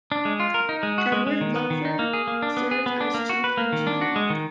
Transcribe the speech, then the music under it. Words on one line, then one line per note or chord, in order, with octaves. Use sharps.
Edward Lupfer served as chief engineer.
D4
G#3
F4
A#4
D#4
G#3
F#4
G#3
G#3
D#3
B3
D#3
D#4
A#3
G#4
A#3
D4
B3
G#4
B3
D4
A#3
F#4
B4
A#3
D#3
D4
F#4
G#3
D#3